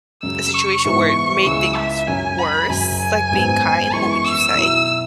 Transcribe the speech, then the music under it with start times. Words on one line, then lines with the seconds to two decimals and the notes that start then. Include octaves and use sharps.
a situation where it made things worse, like being kind, what would you say?
0.23 F#2 C#3 F#3 E6
0.54 C#6
0.85 G#2 E3 G#3 B3 E4
1.46 C#2 C#3 G#3 E4 E6
1.77 E5
2.08 F#2 F#3 C#4 G#5
2.38 B5
2.70 F#1 F#2 F#3 G#5
3.00 G#5
3.31 G#1 G#2 F#3 B3
3.93 F#2 E3 G#3 B3 E4 C#6
4.25 E6
4.55 B1 B2 F#3 E4